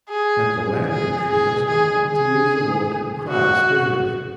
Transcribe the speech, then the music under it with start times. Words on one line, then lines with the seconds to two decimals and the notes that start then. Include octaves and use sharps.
At the landing she does not want to leave the boat and cries bitterly.
0.09 G#4
0.88 G#4
1.29 G#4
1.68 G#4
2.09 G#4
3.29 F#4